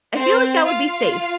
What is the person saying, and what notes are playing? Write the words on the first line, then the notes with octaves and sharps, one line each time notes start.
I feel like that would be safe.
C4 C5
F4 F5